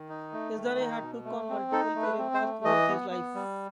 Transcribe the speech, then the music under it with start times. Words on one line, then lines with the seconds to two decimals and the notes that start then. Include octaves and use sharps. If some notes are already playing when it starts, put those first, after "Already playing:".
Yazdani had took on multiple career paths throughout his life.
Already playing: D#3
0.09 D#4
0.33 A3
0.56 D#3
0.79 D#4
1.02 B2
1.25 A3
1.49 C4
1.72 D#4 A4
1.95 A3
2.03 B4
2.18 C4
2.34 C5
2.41 A3
2.64 E3 D#5
2.88 B3
3.10 B3
3.35 G3